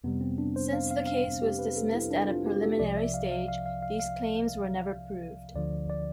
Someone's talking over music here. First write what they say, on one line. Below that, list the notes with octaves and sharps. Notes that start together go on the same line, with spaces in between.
Since the case was dismissed at a preliminary stage, these claims were never proved.
F2 C3 G3 B3
C4
D4
C5
F5
F5
F5
G4
B4
A4
E4
D4
F4
G4
A4
C2 C3 F3 D5
E5
F5
F5
F5
F5
F5
F5
D2 D3 F3 D5
D5